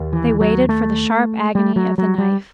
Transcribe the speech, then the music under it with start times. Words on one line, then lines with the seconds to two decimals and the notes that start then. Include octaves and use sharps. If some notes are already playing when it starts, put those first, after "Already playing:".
They waited for the sharp agony of the knife.
Already playing: D#2
0.13 E3
0.41 F#3
0.69 A3
1.55 G3
1.76 F#3
1.98 F#3
2.18 G3